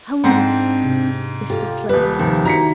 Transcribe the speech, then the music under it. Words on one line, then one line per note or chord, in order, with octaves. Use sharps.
"Hungry!" whispered Drake.
G#2 C4 D4 F#5
C3
F4 G4 A4
D#1 G3 B4
C3 D#3 F3
D#3 D4 E4 F#4 A#5 B6 C#7